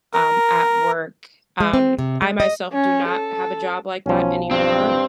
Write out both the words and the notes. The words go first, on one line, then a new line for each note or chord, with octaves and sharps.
um, at work. Um, I myself do not have a job like that anymore,
A#4
G#3
C4
C3
G#3
D#5
C#4
A4
B1 F3 C#4
G2 C4